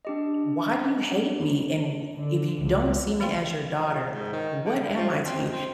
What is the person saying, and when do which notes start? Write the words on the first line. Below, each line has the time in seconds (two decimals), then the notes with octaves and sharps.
why do you hate me? And wh if you don't see me as your daughter, what am I to you?"
0.05 D4 G4 D#5
2.18 D3
2.61 C#2
3.20 E3 A3 F5 G5 C6
3.87 C#2
4.12 G#2
4.33 D#3
4.65 D3
4.81 G3
4.97 F3
5.09 F#2
5.25 C4
5.39 D#3
5.53 C4